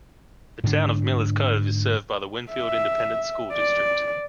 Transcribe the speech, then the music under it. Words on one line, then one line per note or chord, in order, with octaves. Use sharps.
The Town of Miller's Cove is served by the Winfield Independent School District.
G#2 D3 D4
E5
D5